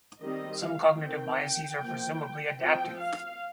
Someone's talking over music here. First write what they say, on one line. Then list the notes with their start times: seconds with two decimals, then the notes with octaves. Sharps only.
Some cognitive biases are presumably adaptive.
0.21 D#3 G3 C4 D#5
0.61 F5
1.01 D#3 C4 G5
1.81 F3 A#3
2.60 F3 C4 G5
3.00 F5